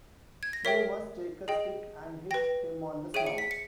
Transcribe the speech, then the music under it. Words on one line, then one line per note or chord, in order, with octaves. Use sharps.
You must take a stick and hit him on the snout!
G#6
A#6
A#4 C#5 E5 G5 B6
G#4 D#5 G5
B4 G5 A#6
G#4 C#5 E5 G5 D#7
C#7
B6
C#7